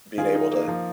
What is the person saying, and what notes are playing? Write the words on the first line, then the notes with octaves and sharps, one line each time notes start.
being able to
D#3 F4 G#4
D#4
A#3
F3